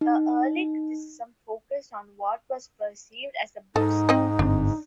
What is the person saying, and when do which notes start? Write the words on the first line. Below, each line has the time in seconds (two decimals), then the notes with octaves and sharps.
The early criticism focused on what was perceived as the book's crudeness.
0.01 D#4
3.75 G#2 D#4 A4 D#5
4.09 C4 D#5
4.39 G1 C3 C4 D4